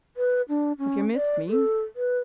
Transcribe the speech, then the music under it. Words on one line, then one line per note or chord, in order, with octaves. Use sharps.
'Have you missed me?'
B4
D4
C#4
D5
A4
B4